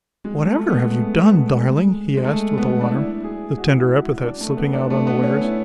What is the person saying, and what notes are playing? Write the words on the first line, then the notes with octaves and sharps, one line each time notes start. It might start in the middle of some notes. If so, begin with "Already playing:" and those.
"Whatever have you done, darling?" he asked, with alarm, the tender epithet slipping out unawares.
G#3
A3
B3
G#3
A3
G#3
B3
A3
G#3
G#3
A3
B3
D4
E4
G#4
F#4
E4
F#4
E4
D4
A3
B3
D4
A3
B3
C#4
E4